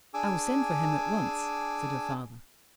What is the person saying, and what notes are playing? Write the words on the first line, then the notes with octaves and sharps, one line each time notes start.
"I will send for him at once," said her father.
D4 G#4 G#5 D6 E6